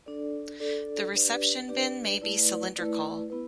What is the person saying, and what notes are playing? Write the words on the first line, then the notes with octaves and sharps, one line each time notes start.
The reception bin may be cylindrical.
D4 A4 D5
D4 A4 D5
D4 G4 B4 D5
D4 G4 B4 D5
A3 E4 B4 D5
A3 E4 B4 D5
B3 E4 B4